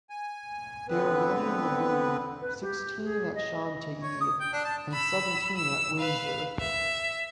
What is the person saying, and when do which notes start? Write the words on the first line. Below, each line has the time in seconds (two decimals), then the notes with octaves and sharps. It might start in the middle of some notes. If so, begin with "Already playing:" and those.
There are many in the Louvre, sixteen at Chantilly, and seventeen at Windsor.
0.10 G#5
0.89 D3 B3 C4 B4
2.41 B4
2.62 G4
3.04 G#4
3.35 D#5
4.02 C#5
4.21 D#6
4.41 G5
4.53 D4
4.65 A5
4.93 B5 E6
5.56 E6
5.99 B4 F5
6.60 E5